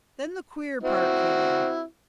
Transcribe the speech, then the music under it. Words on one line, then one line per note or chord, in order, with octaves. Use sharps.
Then the queer part came in.
C4 E4 F#4